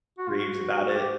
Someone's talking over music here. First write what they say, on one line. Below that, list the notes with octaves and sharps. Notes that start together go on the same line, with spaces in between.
raves about it?
F#4
F4
F#4
G4